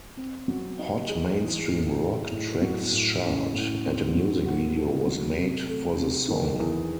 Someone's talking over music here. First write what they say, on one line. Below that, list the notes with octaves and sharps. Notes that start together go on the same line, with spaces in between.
Hot Mainstream Rock Tracks chart, and a music video was made for the song.
C4
F#3
D#4
G#4
E3
A2
A3
A2
F#3
A2
C#4
A2
C4
F#3
F#4
A4
F#3
C3
A3
C3
D#3
E2